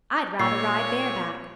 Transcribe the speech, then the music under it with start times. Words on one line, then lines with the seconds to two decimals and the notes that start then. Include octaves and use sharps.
I'd rather ride bareback.
0.39 A#2 C#5 C#6 E6 C7